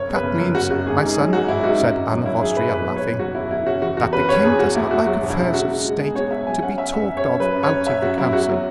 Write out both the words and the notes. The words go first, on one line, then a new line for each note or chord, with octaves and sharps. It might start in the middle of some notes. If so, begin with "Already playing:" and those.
"That means, my son," said Anne of Austria, laughing, "that the king does not like affairs of state to be talked of out of the council."
Already playing: F#1 C#5
B3
B4
F#1
F#3
F#1 F#4
F#2 F#4
G#1 G#4
G#2
G#4
F#3
F#3 F#4
G#1 E4
G#2 F#4
F#2
G#1
F#3
F#3 E4
F#3 G#4
G#1 B4
B2 B4
F#3
C#5
F#1
F#3 F#4
E2 E4
F#1 E4
C#4 F#4
E3 F#4
E2 F#4
C#4 B4
C#4 C#5
E2 G#4
E2 F#4
E2 E4
E2 F#4
F#3 F#4
E1
E4
C#3
G#3 F#4
G#3
G#3
B3 G#4
G#3 C#5
B3 E5
F#3 G#5
C#4 F#5
C#4 E5
F#2 E5
F#2
C#5
C#4
F#3 B4
F#2
C#5
C#4
F#2 E5
F#2 F#4
F#3 E4
E2 F#4
F#3